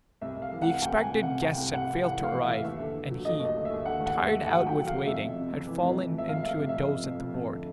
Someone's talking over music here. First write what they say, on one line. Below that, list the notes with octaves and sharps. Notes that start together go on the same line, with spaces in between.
The expected guests had failed to arrive, and he, tired out with waiting, had fallen into a doze at the board.
C2 E5
C2
F5
E3
F#5
C2
C2 G5
C2
G#5
C3
C3 F#5
C2 G5
C2
C2 F#5
C3
E3 F#5
E3 F5
E3
E5
E3
D#2 E5
D3
D3
F#3
D3 D#5
D#2
D#5
D3
E5
D#2
D3 F#5
D#2
F#5
D#2
E5
D3
D#2 F#5
F#3
G5
F#3
F5
D3
F2 E5
F2
C3
F2
E3
F2
F2
F2
E5
F2 F5
F2 E5
F5
C3
F2 E5
C3
F2
F2
F2
D3